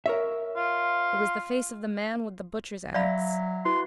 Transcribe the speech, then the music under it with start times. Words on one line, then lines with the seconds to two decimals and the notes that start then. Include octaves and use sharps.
It was the face of the man with the butcher's axe.
0.06 A#4 C#5 E5
0.57 F4
2.94 F#3 D5 E5 F5 B5 A#6
3.65 E4 F#4 B4 C6